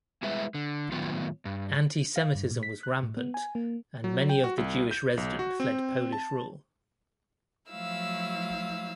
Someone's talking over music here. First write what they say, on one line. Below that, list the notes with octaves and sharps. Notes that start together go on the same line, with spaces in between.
Anti-Semitism was rampant, and many of the Jewish resident fled Polish rule.
G3 G#3 E4 G#4 B4 E5
D3
A2 D#3 F#3 B3 F4
G2
F5
G2
A#2
B6
F#6
A2
B3
G#5
A#3
F#3
G5
F#4
C2
G6
B1
F#4
C4
A5
F3 F#3 A3 E4 F5 E6